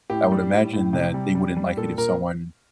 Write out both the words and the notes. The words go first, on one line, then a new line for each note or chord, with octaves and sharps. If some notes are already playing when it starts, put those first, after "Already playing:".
I would imagine that they wouldn't like it if someone
A2 G4
G3
A2
A2
C3
G3
G3
G3
A#2 A4
A#2 A#4